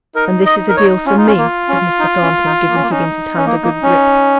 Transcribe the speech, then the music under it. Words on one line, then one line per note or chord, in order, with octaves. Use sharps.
'And this is a deal from me,' said Mr. Thornton, giving Higgins's hand a good grip.
D#4 A#4
D#5
A#4
C#5
C#4 F4
D#4
C#4
A#3
C#4
D#4
C#4
D#4
A#3
C#4
A#3
C#4 D#4
C#4
A#3
A#3
C#4